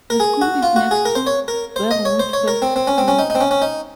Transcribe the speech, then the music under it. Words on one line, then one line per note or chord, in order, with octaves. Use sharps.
The school is next to Verwood First School.
A#4
G#4
F#4
F4
F#4
G#4
A#4
C5
C#5
A#4
C5
D#5
C#5
C5
C#5
A#4
C4
C4
C#4
C4
C#4
D#4
D#4
C4
C#4
C#4
D#4